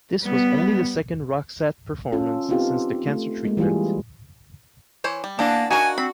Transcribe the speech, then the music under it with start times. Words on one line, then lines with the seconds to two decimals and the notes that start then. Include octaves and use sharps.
This was only the second Roxette performance since the cancer treatment.
0.22 G3 B3
2.12 C#4 F4 A4
2.49 B3 C4 D#4 F4 G4 A4
3.07 A3
3.45 G#3 A#3
3.57 E3 G3 E4 F4 G#4
5.04 E3 C5 C#5
5.24 G3
5.39 E3 A#3 B3 D4 A4
5.70 D#4 F#4 A#4 F5 G#5
5.98 C4 B5